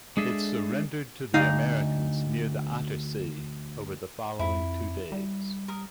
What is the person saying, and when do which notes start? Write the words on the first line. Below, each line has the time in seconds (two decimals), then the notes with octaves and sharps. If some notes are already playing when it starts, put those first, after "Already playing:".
It surrendered to the Americans near the Attersee over the following two days.
0.17 G#3 D4 G#4 A4 E5
1.34 D2 D#4 F5
4.39 F2 E4 B5
5.12 G3
5.68 A#4 D#6